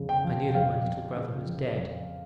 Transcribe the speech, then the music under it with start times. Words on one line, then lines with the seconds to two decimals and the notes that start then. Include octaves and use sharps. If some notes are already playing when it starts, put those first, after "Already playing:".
I knew that my little brother was dead.
Already playing: F2 C#3
0.09 G5
0.24 F3
0.49 G5
0.55 F2 F5
0.86 F2
1.16 C#3
1.46 F3
1.77 F2